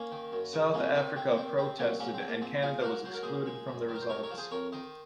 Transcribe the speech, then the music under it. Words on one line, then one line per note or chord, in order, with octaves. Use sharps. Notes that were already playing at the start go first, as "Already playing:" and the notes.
South Africa protested, and Canada was excluded from the results.
Already playing: A#3 C#4
D#3
F#2
C#3
F2 A#3 C#4
D#3 C4 D#4
C3 C4
A#3
D#3 C4
C3 C4
F#3 A#3 C#4
G#2 A#3 C#4
C4
F3
A#3
A#2 C4
F3 F4 G#4
C5
G#2 F#4 A#4
F#3 C5
A#4
A#2 G#4 C5
G#3
F#2
D#3
A#4
C5
C3 A#4 C#5
A#4 C#5
F3
G#4 C5
F2 A#4 C#5
D#3 C5 D#5